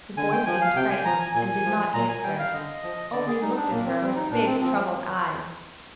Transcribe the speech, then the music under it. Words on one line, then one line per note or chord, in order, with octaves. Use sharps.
The boy seemed frightened, and did not answer, only looked at her with big, troubled eyes.
D3 G#5
G5
F3 G#5
F5
C3 G5
G#5
F3 A#5
G#5
A#2 G#5
F3
A#2 A#5
G#5
G3 G5
F5
D3 D#5
F3
D3 D5
G#4
G3 D#4
D4
A#2 A#3
C4
G3 C4
D#4
A#2 D4
C4
F3 C4